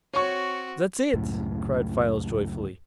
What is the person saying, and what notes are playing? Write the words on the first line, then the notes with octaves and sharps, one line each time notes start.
"That's it!" cried Files joyfully.
C4 F#4 C#5 C#6
C#2 F#2 A2